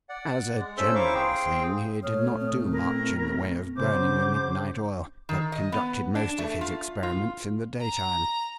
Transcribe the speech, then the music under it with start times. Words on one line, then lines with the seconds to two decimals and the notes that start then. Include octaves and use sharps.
As a general thing, he did not do much in the way of burning the midnight oil, but conducted most of his experiments in the daytime.
0.09 D5 F#5
0.60 G#3
0.78 C#4 A4 C5 E5 E6
0.95 E4 C5 F5 A#5 C#6 D6
1.15 C4 G#4 F5 G5
2.03 A#2 A3 C#5 D#6 F6
2.40 C4
2.71 E4 A#4 D#5
3.76 C#3 F#3 C5 D6 G6
5.29 D#3
5.52 D#5
5.72 B3
6.15 D4
6.39 A3
6.61 F4
7.03 F4
7.80 A#5